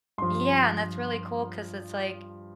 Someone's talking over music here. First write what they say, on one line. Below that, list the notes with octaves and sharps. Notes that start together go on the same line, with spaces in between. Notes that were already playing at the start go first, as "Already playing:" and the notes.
Yeah, and that's really cool 'cause it's like
G2 F3 C6